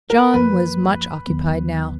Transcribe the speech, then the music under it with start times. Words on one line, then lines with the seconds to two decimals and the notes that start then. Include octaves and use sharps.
John was much occupied now.
0.10 A#4
0.34 F#2 F3 A#3 B4
1.27 D#2 D#3 F#3 B3